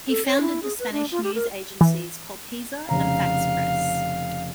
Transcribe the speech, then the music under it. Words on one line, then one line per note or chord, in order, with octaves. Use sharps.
He founded the Spanish news agencies Colpisa and Fax Press.
A4
C#5
E4
G#4
B4
D4
F4
G4
A#4
E3
F1 C#3 F5 A#5